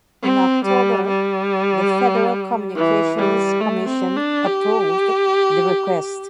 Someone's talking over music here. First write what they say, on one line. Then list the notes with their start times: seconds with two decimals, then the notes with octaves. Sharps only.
In October, the Federal Communications Commission approved the request.
0.23 C4
0.65 G3
1.07 G3
2.76 E3
3.18 G3
3.60 A3
3.88 C4
4.17 D4
4.45 G4